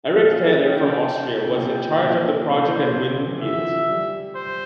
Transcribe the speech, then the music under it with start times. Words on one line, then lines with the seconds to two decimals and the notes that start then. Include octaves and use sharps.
Eric Thaler from Austria was in charge of the project at Winfield's.
0.15 A#2 F5
0.63 G5
1.44 C3
1.56 A#2 G5
2.02 A#2
2.49 C3 C5
2.86 A#2
2.96 C3
3.11 D3
3.26 E3
3.42 F3 E5
3.89 G3
4.35 C5